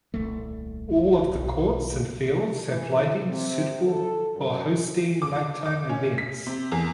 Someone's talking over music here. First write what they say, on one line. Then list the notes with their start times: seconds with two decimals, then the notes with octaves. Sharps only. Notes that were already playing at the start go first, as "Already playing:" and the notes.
All of the courts and fields have lighting suitable for hosting night time events.
0.14 D#1 C2 A3
1.35 B1
2.67 E3
3.29 C3
3.86 A4
4.36 F#2
5.22 D6
5.66 D6
5.89 C#4
6.18 B6
6.47 C3
6.72 E2